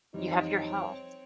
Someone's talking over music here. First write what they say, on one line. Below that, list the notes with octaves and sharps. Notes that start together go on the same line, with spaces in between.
You have your health.
F2 E3 G3 C4 D#4 C#5